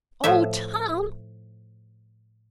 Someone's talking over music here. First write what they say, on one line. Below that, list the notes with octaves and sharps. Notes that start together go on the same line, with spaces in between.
"Oh, Tom!"
A2 F3 E5